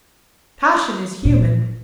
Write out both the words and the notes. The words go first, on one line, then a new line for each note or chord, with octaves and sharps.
Passion is human.
A#2